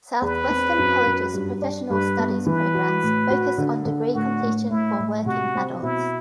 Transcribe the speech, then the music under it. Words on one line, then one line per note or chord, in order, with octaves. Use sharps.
Southwestern College's professional studies programs focus on degree completion for working adults.
E2 B4
C4
F#2
F#2
G2
D4
G2 B4
B3
E3 B4
F#4
A2
F#4
D3
D3
A2 F#4
A2
A2 E4
A2
C3 F#4
C4
B2 E4